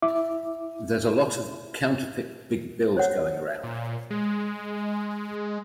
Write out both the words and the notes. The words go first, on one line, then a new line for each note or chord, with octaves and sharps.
There's a lot of counterfeit big bills going around.
E4 E5 D6
C5 C#5 F#5
A#2
G#3